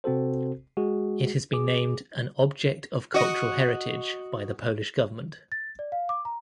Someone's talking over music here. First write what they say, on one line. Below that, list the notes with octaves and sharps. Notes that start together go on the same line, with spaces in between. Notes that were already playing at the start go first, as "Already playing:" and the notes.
It has been named an "object of cultural heritage" by the Polish government.
C3 C4 F#4 A4 C5
G#3 F#4 G#4
G#4 D6
F#4 D#5
A6
D5
F5
D6
A#5